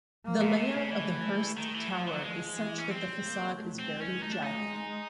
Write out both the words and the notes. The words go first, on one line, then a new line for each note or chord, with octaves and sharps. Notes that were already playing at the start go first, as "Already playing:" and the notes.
The layout of the Hearst Tower is such that the facade is very jagged.
A#3
B2
C3 A3
C#3
E3
D#3
E3
F3
F#3
F3 G#3
E3
C#4
F3 C4
A#3
A3
C4
G#3
C#4
A3 D#4
D4
D#4
G#3